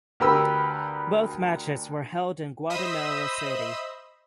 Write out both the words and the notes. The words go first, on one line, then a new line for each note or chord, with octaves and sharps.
Both matches were held in Guatemala City.
D2 G4 A#4 B4 B5 E6
C5 D#5 E5 B5 D#6 E6